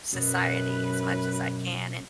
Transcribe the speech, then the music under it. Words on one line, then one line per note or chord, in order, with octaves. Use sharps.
society as much as I can, and
F#2 B2 F#3 B4